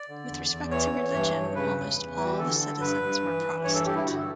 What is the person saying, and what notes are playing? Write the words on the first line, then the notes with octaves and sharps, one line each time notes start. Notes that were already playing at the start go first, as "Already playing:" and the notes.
With respect to religion, almost all the citizens were Protestant.
Already playing: D5
D3
E2
E2
E3 C#5
E3
G2
G2
C#3 B4
E2
E2
E3 E4
F#4
G4
D3 A4
D3
G2 B4
G2
E3
E3
G2 C#5
A4
G2 G4
E4
D3 F#4
A4